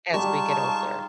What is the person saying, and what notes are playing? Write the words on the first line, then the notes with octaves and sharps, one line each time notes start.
as we get older.
G3 G#3 D#4 F4 A5 C#6